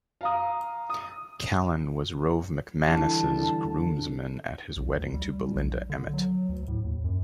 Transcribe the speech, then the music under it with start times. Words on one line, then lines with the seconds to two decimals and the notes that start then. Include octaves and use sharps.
Callan was Rove McManus' groomsman at his wedding to Belinda Emmett.
0.21 F5 A#5 D#6
0.90 D#6
2.88 D3 E3 G3 A5
4.76 B1
4.97 D2
5.14 G3
5.55 B1
5.90 D3
6.13 F#3
6.49 D2
6.68 A2
6.85 D#2
7.04 F#2